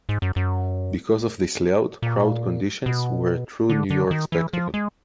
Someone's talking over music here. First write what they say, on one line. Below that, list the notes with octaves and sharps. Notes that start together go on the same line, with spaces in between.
Because of this layout, crowd conditions were a true New York spectacle.
G#2
F#2
F#2
A#2
B2
D3
D3
D#3
E3
F3
G#3